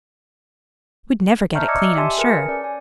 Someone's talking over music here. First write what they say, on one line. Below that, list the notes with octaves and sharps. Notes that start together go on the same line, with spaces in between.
"We'd never get it clean, I'm sure."
E5 A5 A#5 C#6 F6 G6
D5 D#5 D6 E6 G#6 C#7
G4 E5 G#5 A5 C6
G#4 A#4 B4 G#5 C#7
C#4 D5
G#5